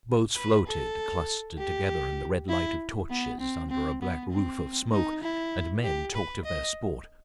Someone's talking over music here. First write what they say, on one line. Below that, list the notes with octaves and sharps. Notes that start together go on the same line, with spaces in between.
The boats floated, clustered together, in the red light of torches, under a black roof of smoke; and men talked of their sport.
B4
A4
G4
E4
B3
C4
C4
B3
C4
D#4
E4
G4
B4
D#5